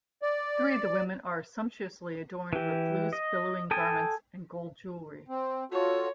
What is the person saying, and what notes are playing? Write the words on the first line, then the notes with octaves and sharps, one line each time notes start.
Three of the women are sumptuously adorned with loose, billowing garments and gold jewellery.
D5
E3 G4
D#5
A4 G5 G#5 D#6
C4
F4 F#4 A4 C#5